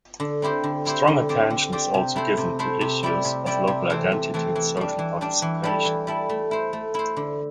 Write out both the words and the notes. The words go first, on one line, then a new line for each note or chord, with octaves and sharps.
Strong attention is also given to issues of local identity and social participation.
D3
C4 E4 G4 C5
D3
C4 E4 G4 C5
D3
C4 G4 D5
D3
C4 G4 D5
C3
A3 E4 C5
C3
A3 E4 C5
C3
G3 E4 G4 D5
C3
G3 E4 G4 D5
C3
E3 A3 C4
C3
E3 A3 C4
E3
G3 D4
E3
G3 D4
E3
G3 E4 A4
E3
G3 E4 A4
A3
E4 C5
A3
E4 C5
D3